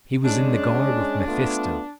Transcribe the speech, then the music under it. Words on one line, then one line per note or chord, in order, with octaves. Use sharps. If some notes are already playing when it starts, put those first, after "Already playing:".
He was in the garb of Mephisto.
G#3 C#4 D4
A3 B3 F4